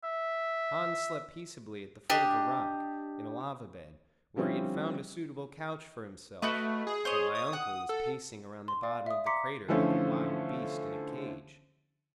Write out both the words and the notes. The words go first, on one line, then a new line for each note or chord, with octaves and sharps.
Hans slept peaceably at the foot of a rock, in a lava bed, where he had found a suitable couch for himself; but my uncle was pacing around the bottom of the crater like a wild beast in a cage.
E5
D4 G4 D#5
D3 F3 G3 C4 C#4 E4
A3 F#4 B4 D#5
G#4
C5 C#5 D#5
D#6
F#5
A4
C6
D5 F5
E5 D#6
A#5 C6 D6 B6 C#7
D3 E3 F3 A3 C#4